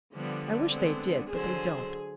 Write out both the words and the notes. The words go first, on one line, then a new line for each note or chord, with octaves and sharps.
I wish they did, but they don't.
D3 F3 G3 B3
G#3 B3 C4
D3 F#3 G#4 C5